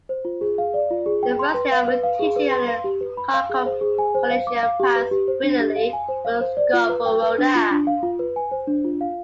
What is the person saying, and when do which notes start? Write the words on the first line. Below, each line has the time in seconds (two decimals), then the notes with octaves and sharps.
The first year of teaching at Kharkov Collegium passed brilliantly for Skovoroda.
0.09 C5
0.25 F4
0.41 G#4
0.58 F5
0.74 D5
0.90 F4
1.06 G#4
1.23 G5
1.39 C6
1.54 B4
1.72 F5
1.88 B4
2.03 F5
2.19 G#4
2.36 B4
2.52 C6
2.68 F5
2.84 G4
3.01 B4
3.17 B5
3.34 F5
3.50 G#4
3.66 C5
3.81 G#4
3.98 G#5
4.15 C5
4.30 F5
4.47 D6
4.63 F5
4.80 G4
4.96 B4
5.11 G4
5.28 C5
5.43 D4
5.60 G4
5.76 F5
5.93 G#5
6.08 C5
6.25 F5
6.41 C5
6.57 D5
6.73 F4
6.89 B4
7.06 G5
7.23 B4
7.38 D4
7.55 F4
7.71 D4
7.87 F5
8.03 F4
8.19 B4
8.36 G#5
8.51 C5
8.67 D4
8.84 F4
9.01 F5